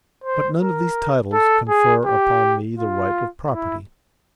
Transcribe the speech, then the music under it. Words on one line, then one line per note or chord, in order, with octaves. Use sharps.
But none of these titles confer upon me the right of property.
C5
A#4
A4
G#4
G4
F4
E4